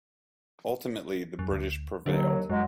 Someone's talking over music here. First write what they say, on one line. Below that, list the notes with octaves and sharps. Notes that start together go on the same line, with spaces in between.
Ultimately, the British prevailed.
F#2
D2
D#2 D3 F#3
F#2 F#3 G#3